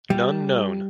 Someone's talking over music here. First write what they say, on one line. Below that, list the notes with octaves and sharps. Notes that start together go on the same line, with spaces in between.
None known.
G3